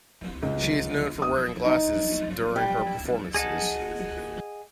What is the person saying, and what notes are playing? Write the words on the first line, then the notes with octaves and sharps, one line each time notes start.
She is known for wearing glasses during her performances.
C#2
D#6
D#4
G3
G#4 D#5 F#5 A5